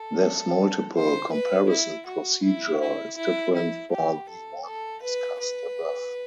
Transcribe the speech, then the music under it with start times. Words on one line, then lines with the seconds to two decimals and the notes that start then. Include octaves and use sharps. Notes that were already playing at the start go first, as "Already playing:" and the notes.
This multiple comparison procedure is different for the one discussed above.
Already playing: A4
0.95 C5
1.32 B4
1.68 E4
2.06 F#4
2.43 E4
2.80 E4
3.17 E4
3.54 E4
3.91 G4
4.29 A4
4.65 A4
5.02 B4
5.40 B4